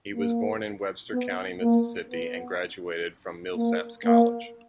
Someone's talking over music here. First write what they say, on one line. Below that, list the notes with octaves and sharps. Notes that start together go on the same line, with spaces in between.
He was born in Webster County, Mississippi and graduated from Millsaps College.
A#3
B3
A#3
B3
A#3
A#3